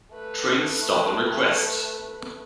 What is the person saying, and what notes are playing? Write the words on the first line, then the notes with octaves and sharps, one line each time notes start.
Trains stop on request.
A3 B4